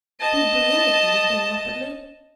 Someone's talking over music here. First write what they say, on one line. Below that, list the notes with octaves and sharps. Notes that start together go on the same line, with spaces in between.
'Be brave,' he went on rapidly.
D#5 A5